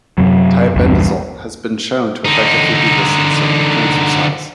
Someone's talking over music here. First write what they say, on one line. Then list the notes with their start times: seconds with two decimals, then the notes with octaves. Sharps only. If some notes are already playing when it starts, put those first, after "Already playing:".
Tiabendazole has been shown to effectively do this in certain cancer cells.
0.18 F#2 C3 F#3
0.75 A#1 E2 G2
2.25 D3 D#4